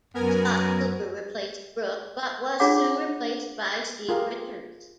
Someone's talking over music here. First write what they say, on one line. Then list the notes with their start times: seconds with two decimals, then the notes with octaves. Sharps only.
Scott Cooper replaced Brook but was soon replaced by Steve Richards.
0.14 F#2 B3 A#4 G#5
2.60 D4 F4 G#4 C#5 F#5 D6
4.09 F4 G4 G#4 A#4 F5